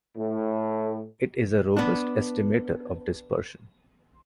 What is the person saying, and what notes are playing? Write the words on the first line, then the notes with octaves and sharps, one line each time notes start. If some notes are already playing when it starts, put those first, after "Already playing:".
It is a robust estimator of dispersion.
A2
B3 D4